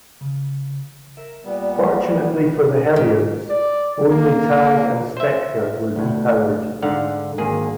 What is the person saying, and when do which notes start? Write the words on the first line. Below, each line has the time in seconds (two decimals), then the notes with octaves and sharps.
Fortunately for the Hellions, only Tag and Specter were depowered.
0.21 C#3
1.17 A#4 E5
1.45 A#2 G3 B3
2.96 G#2
3.50 D5
4.10 A#3
5.17 C5 E5
5.96 D2 A2
6.82 G#2 D3 F5 F#5
7.38 G#1 A#3 G#4